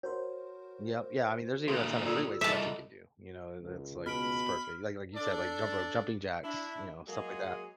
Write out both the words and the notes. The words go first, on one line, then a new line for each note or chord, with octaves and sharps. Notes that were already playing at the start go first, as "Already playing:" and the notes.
Yep. Yeah, I mean, there's even a ton of free weight stuff you can do, you know, and it's like these parts where Like like you said, like, jump rope jumping jacks, you know, stuff like that.
F#4 A#4 C5 C#5
D2 A#2 F#4 A4 F5 C6
F4 A4 D5 E6
C2 G#4 A4 D#5 E5 A5
C#2
B2 B5 F6 D7
D4 A4 D5
D4 E4
F#3 G#3 A#3 G#4